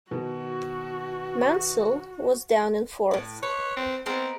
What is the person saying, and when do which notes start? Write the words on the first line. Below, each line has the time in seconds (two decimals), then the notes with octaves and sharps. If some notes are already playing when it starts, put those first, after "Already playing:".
Mansell was down in fourth.
0.11 B2 D#3 F#4
3.11 A2 B4
3.43 B4 C#5
3.77 C4
4.06 G#3 B3 C4 A#4